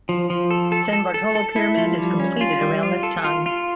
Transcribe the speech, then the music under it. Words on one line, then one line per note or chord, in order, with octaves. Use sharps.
San Bartolo pyramid is completed around this time.
F3
F3
A4
A4
A4
A4
A4
E4
F3
G3
C#4
F4
G3
F4
A4
F4
F4